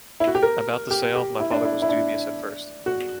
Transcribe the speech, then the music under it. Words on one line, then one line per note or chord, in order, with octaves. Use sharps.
About the sale, my father was dubious at first.
E4
F#4
G4
A#4
G4
G4
E4
D4
E4
E4
D4
F#4